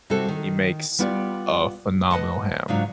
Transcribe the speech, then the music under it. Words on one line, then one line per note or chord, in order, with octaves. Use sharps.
he makes a phenomenal ham,
C3 G3 C4 F#4 A4
D#3
G3 B3 E4 F4 G4 D5
B4 D#5 F#5 A5
G#2 C#3 F#3 D4 F4